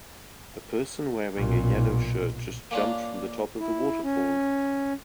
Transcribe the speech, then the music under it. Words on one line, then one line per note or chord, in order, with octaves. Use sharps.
A person wearing a yellow shirt just jumped from the top of the waterfall.
B1 A#2
A#3 C#4 D4 F4
E4
C#4